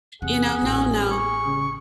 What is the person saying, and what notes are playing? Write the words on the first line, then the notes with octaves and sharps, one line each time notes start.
you know, "No, no."
E2 C3 G#4 F#5
D#1 A1
C#6
C#3